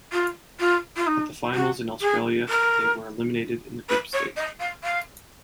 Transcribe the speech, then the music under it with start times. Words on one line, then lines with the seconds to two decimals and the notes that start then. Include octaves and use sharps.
At the finals in Australia, they were eliminated in the group stage.
0.12 F4
0.59 F4
0.96 F4
1.06 D#4
1.54 F#4
2.01 G#4
2.48 A#4
3.89 B4
4.13 C#5
4.36 D#5
4.59 F5
4.83 F5